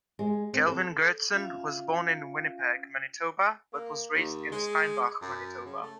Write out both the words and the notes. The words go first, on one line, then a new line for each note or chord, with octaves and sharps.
Kelvin Goertzen was born in Winnipeg, Manitoba but was raised in Steinbach, Manitoba.
G#3
C4
A4
C#4 F4 E5 F5
A#3
D#2
G#3
F#2
C#3
A3